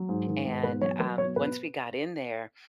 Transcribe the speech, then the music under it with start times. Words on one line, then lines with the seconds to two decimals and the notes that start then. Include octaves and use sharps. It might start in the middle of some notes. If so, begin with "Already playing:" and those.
and, um, once we got in there,
Already playing: F#3
0.09 G#2
0.27 D#3
0.45 G#2
0.63 B2 B4
0.81 F#3 C#5
1.00 F#3 B4
1.18 B2 C#5
1.36 B2 B4